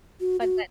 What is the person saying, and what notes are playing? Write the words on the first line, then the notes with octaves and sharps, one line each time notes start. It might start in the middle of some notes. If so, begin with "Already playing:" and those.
but that
F#4
F#4